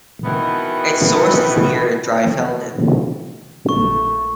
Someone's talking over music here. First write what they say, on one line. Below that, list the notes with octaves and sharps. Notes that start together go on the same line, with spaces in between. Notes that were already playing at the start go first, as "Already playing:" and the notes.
Its source is near Dreifelden.
B2 D#3 E3 B3
A#1 A3 C#6